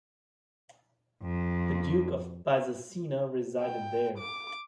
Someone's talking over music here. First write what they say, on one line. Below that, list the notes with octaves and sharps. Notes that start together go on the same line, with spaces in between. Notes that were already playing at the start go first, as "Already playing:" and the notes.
The Duke of Byzacena resided there.
F2
G5
D6